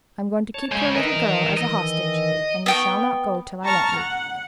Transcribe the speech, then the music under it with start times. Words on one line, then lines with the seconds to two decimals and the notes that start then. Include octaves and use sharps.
I'm going to keep your little girl as a hostage, and you shall not go till I let you.
0.54 C#5 A5
0.72 C#3 G#3 C#5 G6 G#6
0.96 A#4 B4 D#5 E5
1.13 D#3 E3
1.57 D#5
2.66 B3 G5 C#6
3.64 A5 A#5 C#6 F6
3.96 F#5